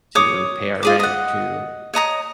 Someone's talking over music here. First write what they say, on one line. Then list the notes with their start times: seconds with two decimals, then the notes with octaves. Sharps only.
to pay our rent, to,
0.15 C#5 D6 D#6
0.83 F4 G#4 D6
1.00 D#5 F#5
1.94 C#5 D#5 A#5 D#6